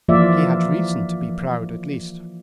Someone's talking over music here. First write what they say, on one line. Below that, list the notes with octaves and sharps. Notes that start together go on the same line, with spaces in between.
He had reason to be proud, at least.
E3 F3 A#3 F4 D5 E5